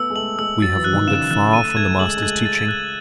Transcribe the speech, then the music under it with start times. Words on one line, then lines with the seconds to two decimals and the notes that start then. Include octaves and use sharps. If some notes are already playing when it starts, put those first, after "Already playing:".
We have wandered far from the Master's teaching.
Already playing: A3 B3 E6
0.10 G#3
0.16 A3 F#7
0.39 G#3 E6
0.62 F#3 A6
0.77 E3
0.84 F#6
0.93 D#3
1.07 C#3 E7
1.31 D#3 F#6
1.53 A3 D#7
1.77 A3 G#6
1.99 G#3 F#7
2.17 G#3
2.23 A3 G#6
2.46 A6
2.68 F#6